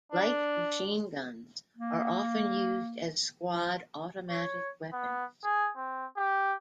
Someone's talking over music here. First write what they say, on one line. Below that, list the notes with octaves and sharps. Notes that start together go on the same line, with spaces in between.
Light machine guns are often used as squad automatic weapons.
D4
A#3
F3
C#5
B3
G#4
C4
G4